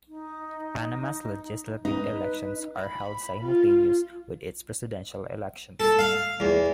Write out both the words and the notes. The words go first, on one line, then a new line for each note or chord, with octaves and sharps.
Panama's legislative elections are held simultaneous with its presidential elections.
D#4
D#4 B4
B5
F4
A4
F5
E2